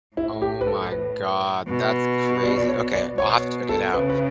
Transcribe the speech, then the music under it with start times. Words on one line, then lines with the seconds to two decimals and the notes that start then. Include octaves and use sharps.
Oh my god. That's crazy. Okay. I'll have to check it out.
0.17 A2 E4
0.42 G4
0.61 B4
0.67 A4
0.92 B4
1.68 B2
2.43 D5
2.57 D5
2.68 C#5
2.93 D5
3.18 B2 C#5
3.69 A4
3.93 C#3 B4
4.09 B4